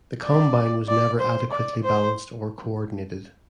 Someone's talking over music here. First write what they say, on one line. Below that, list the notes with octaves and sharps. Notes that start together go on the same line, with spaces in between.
The combine was never adequately balanced or co-ordinated.
D5
D5
C5
D5
C5